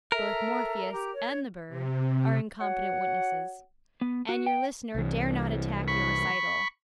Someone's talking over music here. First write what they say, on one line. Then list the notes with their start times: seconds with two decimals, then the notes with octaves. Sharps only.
Both Morpheus and the bird are incompetent witnesses; and your listener dare not attack your recital.
0.12 A4 A#4 E5 A#5
0.92 G4 A#5
1.13 C#5
1.69 C3
2.60 F#4 C#5 F#5
4.01 B3
4.29 F#4
4.46 G5
4.94 C2 E3
5.88 B5 C#6